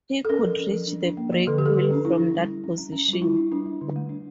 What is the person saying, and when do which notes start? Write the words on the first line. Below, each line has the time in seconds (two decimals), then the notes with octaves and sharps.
He could reach the brake wheel from that position.
0.25 A4
0.29 C#4 A#4
0.44 F3
0.59 C#4
0.74 F3
0.87 D4
1.03 D4
1.17 A#3
1.33 F3
1.47 D3 A4
1.58 G4
1.62 D3 A4
1.76 D3
1.91 C#4 D4
2.05 C#4 E4
2.20 C#4
2.35 G3
2.49 C#4
2.64 C#4
2.78 C#4
2.92 C#4
3.08 G3
3.13 F4
3.22 G3 E4
3.37 D4
3.52 G3 D4
3.66 G3
3.81 D3
3.96 A3
4.09 D4